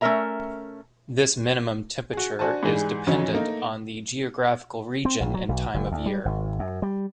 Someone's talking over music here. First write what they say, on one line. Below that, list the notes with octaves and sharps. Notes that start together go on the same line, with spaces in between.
This minimum temperature is dependent on the geographical region and time of year.
A3 C#4 D4 A#4 E5 A#5
F#4 G#4
D4 F#4 C5 G#5 A5
G#2 E3 G3 G#3 G#4
F2 E3 F#3 C#4 D#4
A3 A#3 D#4
C4
A#1
F#3
B1
F#1
D2
G3
G#1
F#2
G3